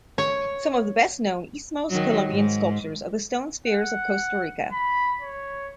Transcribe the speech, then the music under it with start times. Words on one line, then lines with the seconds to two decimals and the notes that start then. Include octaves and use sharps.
Some of the best-known Isthmo-Colombian sculptures are the stone spheres of Costa Rica.
0.18 C#5
1.90 D#3 F#3
2.30 G#2
3.66 F#5
4.73 B5
5.21 C#5